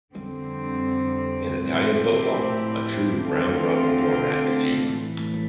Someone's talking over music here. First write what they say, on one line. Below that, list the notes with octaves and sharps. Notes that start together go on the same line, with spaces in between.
In Italian football, a true round-robin format is used.
F2 D3 G3 C4
A2 F3 C4 E4 G4
D3 A3 C4 F4 A4
A2 E3 A3